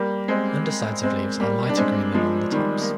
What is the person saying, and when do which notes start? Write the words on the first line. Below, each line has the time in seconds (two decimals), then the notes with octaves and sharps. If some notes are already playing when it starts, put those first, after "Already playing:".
Undersides of leaves are lighter green than on the tops.
Already playing: G3 A#3
0.28 G#3 C4
1.03 G#3 C4
1.40 G3 A#3
1.69 D4
1.77 G#3 C4
2.14 F3 G#3
2.52 D#3 G3
2.81 A#3